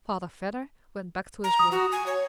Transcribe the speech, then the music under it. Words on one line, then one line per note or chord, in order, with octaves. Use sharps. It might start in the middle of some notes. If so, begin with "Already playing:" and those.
Father Vedder went back to his work.
A#5
D#6
F#4
G#5
C#5